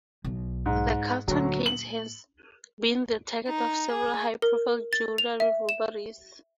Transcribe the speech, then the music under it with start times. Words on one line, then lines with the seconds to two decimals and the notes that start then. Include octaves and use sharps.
The Carlton Cannes has been the target of several high-profile jewelry robberies.
0.24 B1
0.66 G#2
1.28 D2 A#2 F#3
1.66 F#7
3.48 D#4
3.92 G#4
4.42 A#4
4.93 A6
5.18 F7
5.40 E5
5.69 E7